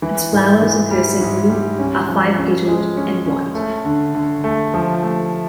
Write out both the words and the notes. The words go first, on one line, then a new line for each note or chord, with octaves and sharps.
Its flowers occur singly, are five-petalled, and white.
E3
G#2
E3
G3
G#2
G3
C#4
F3
C#4
G#3
C#4
C#4
A3
D3
D3
A3
F3
A3